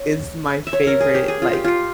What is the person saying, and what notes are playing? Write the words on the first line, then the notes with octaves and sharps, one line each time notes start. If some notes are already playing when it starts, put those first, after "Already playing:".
is my favorite, like,
Already playing: C#5
E5
C#5
A#4
G#4
G4
G#4
F4
G4
F4